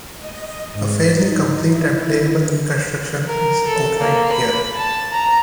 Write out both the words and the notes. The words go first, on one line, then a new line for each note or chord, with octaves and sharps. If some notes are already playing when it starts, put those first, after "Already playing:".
A fairly complete and playable reconstruction is outlined here.
D#5
G#2
D#4
E4
A#4
A4
A#3
B5
A5
A#5